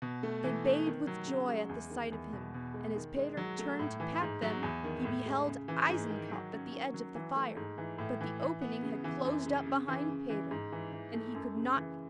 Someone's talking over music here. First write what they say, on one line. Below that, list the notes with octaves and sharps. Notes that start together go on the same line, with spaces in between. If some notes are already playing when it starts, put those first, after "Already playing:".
They bayed with joy at the sight of him, and as Peter turned to pat them, he beheld Eisenkopf at the edge of the fire, but the opening had closed up behind Peter, and he could not get through.
B2
A3
E3
A3
D#3
F#3
C#3
G#3
E2
D#3
E2
B2
B2
G#3
D#3
G#3
F#3
A3
A2
E3
G#2
F#3
E2
D#3
A2
G#3
C#3
E3
G#2
D#3
F#3
C#4
D#3
F#3
E3
A3
G#2
E3
A2
E3
E3
B3
C#3
E3
F#2
C#3
C#3
E3
C#3
E3
G#2
E3
E3
A3
F#2
C#3
E3